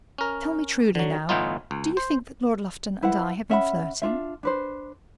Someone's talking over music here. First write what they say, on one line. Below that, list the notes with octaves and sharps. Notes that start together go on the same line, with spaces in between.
"Tell me truly now, do you think that Lord Lufton and I have been flirting?"
C#4 A#4
D3 F#3
G1 A2 E3 B3 D#4 F4
C#2
C5
E4 B4 C5 F#5
C#4 E5 F#5 B5
D4 F4 E5
D4 B4 C5